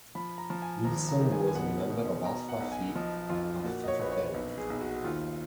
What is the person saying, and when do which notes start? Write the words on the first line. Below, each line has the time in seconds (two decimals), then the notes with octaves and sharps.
Wilson was a member of Alpha Phi Alpha fraternity.
0.15 F3 B5
0.38 A#5
0.50 F3
0.62 G#5
0.84 G#1 A#5
1.09 A#5
1.20 D#3
1.32 G#5
1.48 G#5
1.55 B2 F#5
1.90 B2
2.25 B2 A#5
2.49 F#5
2.60 B1
2.72 G#5
2.95 F3 D#5
3.29 F2 F4
3.64 A#2 F#4
3.84 D#5
3.88 C#5
3.99 A#1 B4
4.12 C#5
4.34 B1 B4
4.58 G#4
4.70 B1
4.81 F#4
5.04 D#2 F4